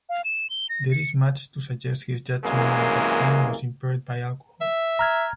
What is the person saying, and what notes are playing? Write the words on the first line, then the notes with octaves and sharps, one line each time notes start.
There is much to suggest his judgement at that time was impaired by alcohol.
F5
E7
G7
A#6
C#7
C2 F#2 E3 G#3 A#3
E5
A#5 F6 G#6